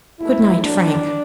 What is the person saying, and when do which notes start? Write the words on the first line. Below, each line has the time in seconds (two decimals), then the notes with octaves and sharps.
"Good night, Frank."
0.20 E2 B2 A3 E4
0.61 A2 F#3 A3 D4